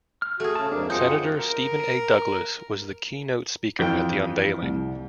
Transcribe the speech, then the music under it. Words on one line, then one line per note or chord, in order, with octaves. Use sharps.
Senator Stephen A. Douglas was the keynote speaker at the unveiling.
F6
A3 F#4 G#4
C#3 A5
F2 G#2 A#3 D4
F#2 D#4 F4 G#4 C5 F#5 G5
A#4
F2 E3 G5
C2